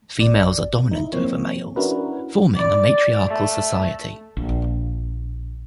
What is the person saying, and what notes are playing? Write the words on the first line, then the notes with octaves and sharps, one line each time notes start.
Females are dominant over males, forming a matriarchal society.
A1 D5
D#4 E4
F3 A#3 C4 C#5
C#4 D4 E4 F#4 A#4 B4
D5
A3
A#1